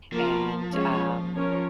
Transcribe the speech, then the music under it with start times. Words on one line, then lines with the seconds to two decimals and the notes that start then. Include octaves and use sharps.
and, um,
0.12 F3 A#3 F4 A#4
0.74 G#3 C#4 F4 G#4 C#5
1.35 C#4 F4 A#4 C#5